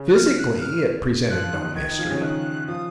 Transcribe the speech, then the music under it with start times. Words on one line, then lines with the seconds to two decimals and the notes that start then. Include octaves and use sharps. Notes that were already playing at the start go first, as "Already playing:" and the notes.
Physically it presented no mystery.
Already playing: C#3 C#4
0.09 F#6
0.14 F6
0.38 F#6
0.61 F6
1.30 F3 F4 F#6
1.41 F3 F4
1.53 D#3 D#4
1.64 D#3 D#4
1.75 D#3 D#4 G#6
1.91 D#4
1.99 F3 F4
2.10 C#3 C#4
2.21 D#3 D#4 F#6
2.68 F3 F4 D#6